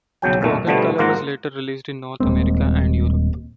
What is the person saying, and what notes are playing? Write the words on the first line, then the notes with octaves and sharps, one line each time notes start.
The Pocket Color was later released in North America and Europe.
B1 C#3 F#3 G5
B1 F2 A#2 D#3 A3
B2 D3 F3 G3 A3 B3
G#2 A#3 F4 A#4 F#5 A#5
D#1 G#3 A#3 C4